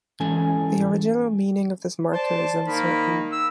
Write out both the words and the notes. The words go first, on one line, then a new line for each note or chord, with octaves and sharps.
The original meaning of this marker is uncertain.
G#2 E3 C#4 A4 G#5
C5 D5 A5
D#3 A#3 B5
E6